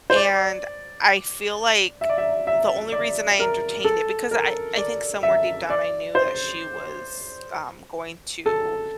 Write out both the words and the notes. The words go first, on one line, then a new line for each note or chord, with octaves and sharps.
And I feel like the only reason I entertained it because I I think somewhere deep down, I knew that she was, um, going to
C5
D5
E5
D5
E5
E5
D5
A#4
A4
A#4
D5
E5
D5
C5
A4